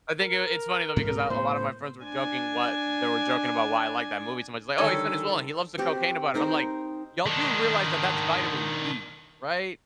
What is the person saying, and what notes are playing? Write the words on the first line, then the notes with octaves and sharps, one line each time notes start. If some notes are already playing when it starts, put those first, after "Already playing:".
I think i it's funny, though, because a a lot of my friends were joking what they were joking about why I like that movie so much, they, "Oh, he's Venezuelan. He loves the cocaine about it." I'm like, "Y'all do realize that, that's vitamin D, right?
A#4
G#2 C3
A2 B3 C5
D4 G#5
D3 D#3 G3 A4 C#5 G#5
C4 F#4 G4
C4 D#4 A#4 C5
D#3 D4